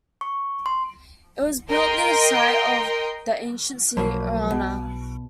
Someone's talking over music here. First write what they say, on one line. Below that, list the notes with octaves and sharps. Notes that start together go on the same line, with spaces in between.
It was built near the site of the ancient city Erana.
C#6
C6
A#4 D#5 G5 C6
B1 F3 F#3 A#3 B5
B2